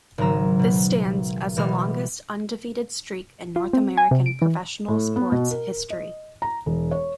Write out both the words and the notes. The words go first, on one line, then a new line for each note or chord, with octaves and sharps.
This stands as the longest undefeated streak in North American professional sports history.
G#1 C#3 F#3 A#5 E6
B2
B2 E3 G3 G#3 F6
F4
C4
G#5
C3
D7
E3
A2
B3
B2
A#4
D#5
A#5
E1
C#5